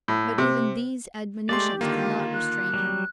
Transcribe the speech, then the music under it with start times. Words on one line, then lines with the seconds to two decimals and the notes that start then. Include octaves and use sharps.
But even these admonitions did not restrain him.
0.08 A2
0.38 C3
1.49 G#3 A3 G4 D5 C6
1.81 D3 D#3 A#3 F4
2.33 F#6
2.74 F#3 G3